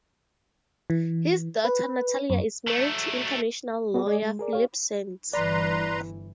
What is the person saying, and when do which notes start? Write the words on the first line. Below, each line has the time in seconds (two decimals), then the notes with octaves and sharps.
His daughter Natalia is married to international lawyer Philippe Sands.
0.90 E3
1.65 B4
2.30 F#2
2.67 F#3 A3
3.94 B3 F#4 G#4
4.06 G#3 G#4 D5 D#5 G#5
4.22 G#3
4.39 G#4 A#4 D5
4.53 G4 C#5 F5
5.33 G1 E3 B4 D5 A#5 C6